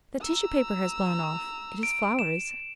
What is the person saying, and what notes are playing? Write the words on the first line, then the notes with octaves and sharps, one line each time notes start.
"The tissue paper has blown off: it is flowers."
A#5 E6
D7
E7